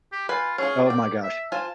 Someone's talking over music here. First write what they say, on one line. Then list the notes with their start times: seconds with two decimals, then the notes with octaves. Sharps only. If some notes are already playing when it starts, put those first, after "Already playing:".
Oh, my gosh.
0.12 G4
0.29 F4 B4 G#5
0.58 C#4 F4 G#4
0.86 A#3 D5 G5
1.23 E5
1.52 F4 C5 G#5 A5